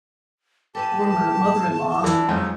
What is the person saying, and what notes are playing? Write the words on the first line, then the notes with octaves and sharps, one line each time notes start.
former mother-in-law
G4 A4 B4 G#5 A5
A5
E3 D4
F2 D3 F#3 G#3 C#4 D#4